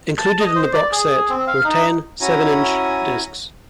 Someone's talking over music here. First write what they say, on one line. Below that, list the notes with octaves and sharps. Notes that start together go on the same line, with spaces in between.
Included in the boxset were ten seven-inch discs.
A5
D#5
C5
D5
G#4
C4
F5
D#4
C#4 E4 F#4 G#5 A#5